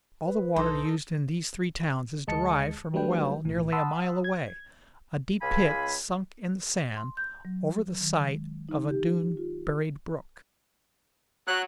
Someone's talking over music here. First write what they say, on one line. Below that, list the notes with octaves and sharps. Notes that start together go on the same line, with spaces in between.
All the water used in these three towns is derived from a well nearly a mile away--a deep pit sunk in the sand, over the site of a dune-buried brook.
B4
B1 D#4 A4 C5
D2 G#3 D#5 A5 C#7
F#3 G3 A3 D4 B4 G5
B1 A2 E3
F#5 A5 B5 C6 D#6 E6
G#6
C#2 F5 G#5 B5
C6
G6
F#3
D#3
G#3
D#4
G4
F4
F#3 F#6